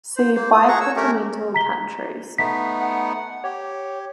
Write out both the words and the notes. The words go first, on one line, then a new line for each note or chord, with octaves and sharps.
See Bicontinental countries.
C5
A#3 C5
F4 D#6
G#4 F#5 A#5 C#6
C#5 E6
A3 C#4 G4 A#4
A#5 B6 G7
A3 B3 D#4 B6
F#5
G4 C#5